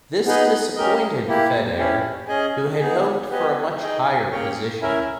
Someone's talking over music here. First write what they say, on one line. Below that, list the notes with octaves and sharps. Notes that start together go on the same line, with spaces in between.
This disappointed Feder, who had hoped for a much higher position.
B3 D#4 G#4 B4 D#5
C#4 G4 A#4 D#5
A#3 E4 G4
C#4 E4 G4
C#4 G#4 D#5 G#5
B3 D#4 G#4
B3 G4 B4 D#5 G#5
D#4 G#4 D#5 G5
A#3 C#4 G#4 C#5 G5
C#4 E4 A#4 E5